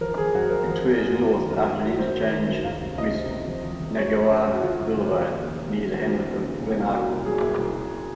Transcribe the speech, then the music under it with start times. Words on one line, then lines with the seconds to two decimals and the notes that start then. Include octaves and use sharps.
It swerves north after an interchange with Neyagawa Boulevard, near the hamlet of Glenarchy.
0.01 F3 A#4
0.18 F3 G#4
0.34 F#2 F#4
0.50 F#2 A#4
0.67 F3
0.83 F3
1.00 F#2
1.17 F3
1.33 D#3
1.50 F#2
1.66 F#2
1.83 F#3
1.98 F#2 C5
2.16 D#3
2.32 D#3
2.49 F#2
2.64 C#2 F5
2.81 C3
2.98 C#2 D#5
3.14 C3
3.30 C#2
3.47 F3
3.63 F3
3.80 F3
3.97 F#2 C#5
4.13 F#2
4.29 C#3 C5
4.46 C#3
4.53 F#4
4.62 C#3 F4
4.79 F#2
4.95 C#3
5.12 F3
5.28 D#2
5.44 D#2
5.61 D#2
5.77 C#3
5.94 D#2 F#4
6.10 F3
6.27 D#2
6.43 C#3
6.59 A#2
6.76 C2
6.93 F#3
7.09 C2
7.26 F#3 G#4
7.42 C2
7.58 C2
7.75 F#3